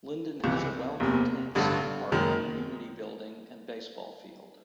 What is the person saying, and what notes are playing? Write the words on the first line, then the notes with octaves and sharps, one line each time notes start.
Linden has a well maintained city park, community building, and baseball field.
C#2 C3 E3
F#1 E2 C3
A1 G2 D3
F#1 F#2 D#3 G#3